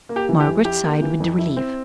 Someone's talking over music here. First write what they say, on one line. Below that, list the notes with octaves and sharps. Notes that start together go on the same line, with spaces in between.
Margaret sighed with relief.
A#3
G4
E3
G4
F2
E4 G4
A#3
E3
F2
E4
C4